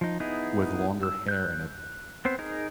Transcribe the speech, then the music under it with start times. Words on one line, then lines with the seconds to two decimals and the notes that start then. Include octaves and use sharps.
with longer hair and a p
0.01 F3 D#4
0.20 B3 D#4 E4 G#4
1.03 E6
1.28 F#6 G6
2.25 B3 C4 C5
2.39 D#4 G#4 A#4